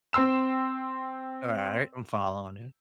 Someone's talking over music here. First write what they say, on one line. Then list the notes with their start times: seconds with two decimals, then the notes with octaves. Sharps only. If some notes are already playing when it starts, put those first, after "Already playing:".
All right, I'm following you.
0.13 C4 G5 C6 E6 E7